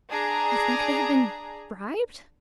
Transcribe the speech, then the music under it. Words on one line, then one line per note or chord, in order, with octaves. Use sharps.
"You think they have been, bribed?"
D4 G#4 A#5